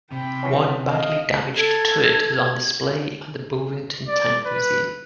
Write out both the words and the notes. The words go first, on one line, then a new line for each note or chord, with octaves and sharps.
One badly damaged turret is on display at the Bovington Tank Museum.
C3 G5 B5
E3 F#3 C#4
A3 D#5 F5
A4 G#6
D5
B4